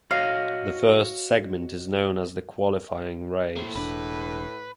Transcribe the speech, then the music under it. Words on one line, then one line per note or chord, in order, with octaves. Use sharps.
The first segment is known as the Qualifying Race.
F#4 C#5 D#5 F5
A2 A#3 C5
E1 C4 D4 B4